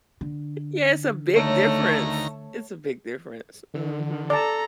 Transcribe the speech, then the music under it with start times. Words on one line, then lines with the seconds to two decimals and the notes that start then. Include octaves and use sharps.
Yeah, it's a big difference. It's a big difference. Mhm,
0.21 D3
1.36 D2 D#3 A3 C#5 A#5
3.74 D3
4.30 A4 D5 A5 A#5